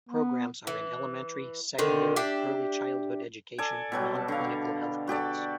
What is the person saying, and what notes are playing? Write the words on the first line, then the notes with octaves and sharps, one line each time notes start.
Programs are in Elementary, Secondary, Early Childhood Education and non-clinical health fields.
B3
E3
D3 D#3 C4
D4 G4 E5
A4 D5 G#5
B2 F#3 G3
A5
D3 F5
F#4 G4 A4 D5